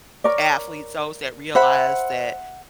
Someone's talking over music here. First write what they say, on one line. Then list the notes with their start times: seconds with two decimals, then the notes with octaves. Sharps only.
athletes those that realize that
0.24 A#4 C#5 D5
1.55 C5 E5 F#5 B5